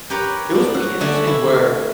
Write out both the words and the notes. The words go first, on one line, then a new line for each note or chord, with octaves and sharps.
it was pretty interesting where
G4 A#4 B4 C#5
D4
F#4
D3 A3 D4 C#5 E5 G#5
E4